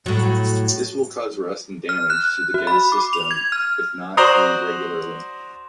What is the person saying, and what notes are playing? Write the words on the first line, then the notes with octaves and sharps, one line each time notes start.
This will cause rust and damage to the gas system if not cleaned regularly.
A2 F#3
F6
F#6
F#4
B5
D6
F7
G#6
F6
F#4 C5 D5 A#5 C6 D#6